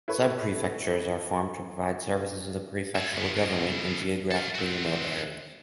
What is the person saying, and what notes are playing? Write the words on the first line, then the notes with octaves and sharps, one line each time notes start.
Subprefectures are formed to provide services of the prefectural government in geographically remote areas.
E4 A4 B4 C#5
C#5 E5
F#2 B3
F#2 B2
A4 F5
C4 F#4